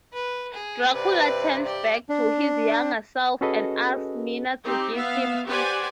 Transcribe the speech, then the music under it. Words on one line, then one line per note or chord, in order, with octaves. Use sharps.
Dracula turns back to his younger self and asks Mina to give him peace.
B4
G#4
G2 C3 B4 D5
G4 D5
D4
C#4 F#4 G#4 A4 B4 D#5
C4 D#4 G4
B3 E5 F5
G4 B4 C5 D5 F#5 G#5